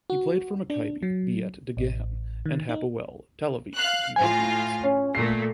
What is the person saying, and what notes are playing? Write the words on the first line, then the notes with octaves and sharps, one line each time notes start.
He played for Maccabi Beit Dagan and Hapoel Tel Aviv youth teams.
F#4
D4
F#3
A1
D#3
D#4
F5 F#6
A2 F4 G#5
C#4
A#2 A3 C7